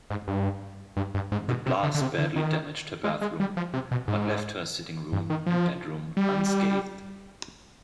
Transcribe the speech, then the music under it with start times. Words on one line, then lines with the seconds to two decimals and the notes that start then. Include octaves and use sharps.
The blast badly damaged her bathroom, but left her sitting room and bedroom unscathed.
0.10 G#2
0.28 G2
0.97 G2
1.14 G2
1.32 G#2
1.48 B2
1.66 C3
1.83 D3
1.94 D3
2.01 C3
2.18 D3
2.36 D#3
3.04 G#3
3.21 G#3
3.40 G3
3.57 F3
3.74 C3
3.91 B2
4.08 G#2
5.12 G2
5.30 D#3
5.46 F3
6.17 G3